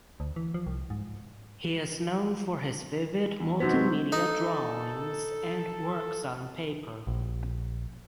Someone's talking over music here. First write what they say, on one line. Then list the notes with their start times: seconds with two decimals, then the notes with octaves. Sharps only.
He is known for his vivid multimedia drawings and works on paper.
0.20 D2
0.36 E3
0.54 F3
0.67 C2
0.90 G#2
3.40 E2
3.60 C3 F#3 B3 D#4 F#4 C5
3.74 C4
4.12 D#4 A4
7.07 A#1